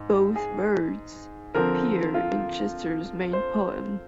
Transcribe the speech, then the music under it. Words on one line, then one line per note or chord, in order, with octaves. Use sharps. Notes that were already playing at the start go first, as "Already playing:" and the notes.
Both birds appear in Chester's main poem.
Already playing: G#2
G#4
D3 F3 C4 A#4
F4
C5